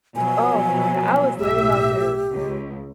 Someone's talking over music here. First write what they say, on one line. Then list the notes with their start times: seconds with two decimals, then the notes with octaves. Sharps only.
Oh my god, I was literally about to
0.16 B2 F3 F#3 G#5
1.40 B1 A2 G4 E5
2.34 C#2